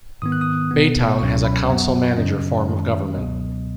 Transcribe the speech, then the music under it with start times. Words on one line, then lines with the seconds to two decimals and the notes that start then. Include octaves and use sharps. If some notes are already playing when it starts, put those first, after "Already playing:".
Baytown has a council-manager form of government.
0.22 G#2 D#3 B3 D#6
0.32 F#6
0.41 D#6
0.71 B2 B3
1.19 C#2 B2 F#3 C#4 C#6
1.44 B5
1.68 F#2 F#3 B3 F#5
2.17 F#2 C#3 F#3 C#4 D#5
2.66 F#2 D#3 G#3 C#4
3.14 C#2 B2 F#3 B3 D#5